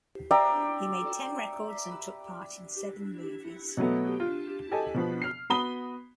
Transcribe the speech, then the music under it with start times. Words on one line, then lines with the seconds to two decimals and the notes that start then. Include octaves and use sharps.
He made ten records and took part in seven movies.
0.31 D5 E5 G5 A#5
3.77 B2 F#3 A3 B3
4.20 F4
4.71 G4 A4 D#5 G#5 A5
4.94 B2 F3 B3
5.22 F6 C7
5.50 B3 F#4 B5 D#6 G7